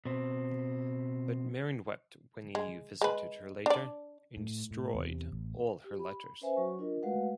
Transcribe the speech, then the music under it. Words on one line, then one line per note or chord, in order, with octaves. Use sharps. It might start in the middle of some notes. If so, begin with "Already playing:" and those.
But Mering wept when he visited her later, and destroyed all her letters.
B2 C4
G#3
G#3 B4
D4 D5
A2
A2
E2 C3
A1
G4
B5
C#4 B4 C5 E5 G#5
F#3 F#4 C#5 C#6
D4 F4 A#4 D#5
G#3 A3 F#4 B4 F5 F#5